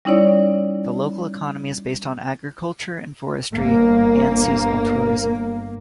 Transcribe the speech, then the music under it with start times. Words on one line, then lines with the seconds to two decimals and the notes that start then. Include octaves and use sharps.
The local economy is based on agriculture and forestry, and seasonal tourism.
0.05 G3 C#4 D#4 E4 C#5 D5
3.53 G1 A#3